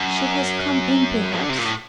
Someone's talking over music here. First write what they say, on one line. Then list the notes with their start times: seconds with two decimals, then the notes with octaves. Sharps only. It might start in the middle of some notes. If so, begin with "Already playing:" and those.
She has come in, perhaps.
Already playing: F#2
1.41 D3
1.49 C3
1.58 A#2
1.65 A2